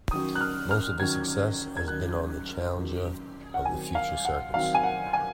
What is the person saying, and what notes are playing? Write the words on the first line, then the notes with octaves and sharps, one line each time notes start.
Most of his success has been on the challenger and future circuits.
D#3 F#3 C#4 D#6
F#6
F6
F6
D#3 F#3 C#4 G#6
G#6
D#3 F#3 C#4 F#6
D#3 F#3 C#4
F#5
D#3 F#3 C4 G#5
F5
F#5
D#3 F#3 C4 F5
G#5
F#5
G#5